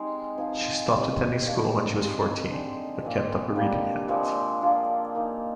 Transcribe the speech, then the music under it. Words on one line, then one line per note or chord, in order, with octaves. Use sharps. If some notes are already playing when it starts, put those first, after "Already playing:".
She stopped attending school when she was fourteen, but kept up a reading habit.
Already playing: G#3 C4 D#4 G#4
F3 C4 D#4 G#4
C4 G4 A#4
G3 A#3 D4
G#3 D#4 G4 C5
D3 G#3 C4 D#4
A#2 G#3 C4
D3 G3 A#3
A#2 F3 G#3 C4
A#3 D4 F4 G#4
A#3 D#4 A#4 D#5